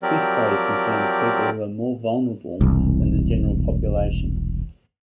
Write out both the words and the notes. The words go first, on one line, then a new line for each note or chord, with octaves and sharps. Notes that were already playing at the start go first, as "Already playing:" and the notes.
This phase concerns people who are more vulnerable than the general population.
F3 F#3 C4 G4 A#4 D5
E1 C2